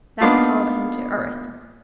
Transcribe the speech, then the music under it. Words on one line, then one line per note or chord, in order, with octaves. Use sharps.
That called him to earth.
A#3 B3 D4 D#4 F4